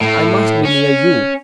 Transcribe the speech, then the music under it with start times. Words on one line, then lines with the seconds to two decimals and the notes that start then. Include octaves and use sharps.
I must be near you.
0.01 A2
0.65 C#4